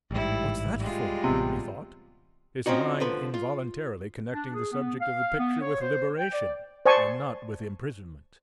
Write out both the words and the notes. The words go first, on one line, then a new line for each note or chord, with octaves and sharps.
"What's that for?" he thought, his mind involuntarily connecting the subject of the picture with liberation and not with imprisonment.
A1 G#2 G3 E4
G3 G#3 F4
A1 C3 B3
F3 C4 C#4 D#4 F#4
D3 F3 B4
F4
D4
G#4
B3
F5
B3
C#5
C5
G5
D5
C5 D5 G#5 A5 C#6